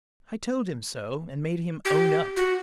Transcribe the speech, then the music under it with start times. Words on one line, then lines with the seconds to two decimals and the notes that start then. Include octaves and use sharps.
I told him so, and made him own up.
1.85 G4
2.36 F#4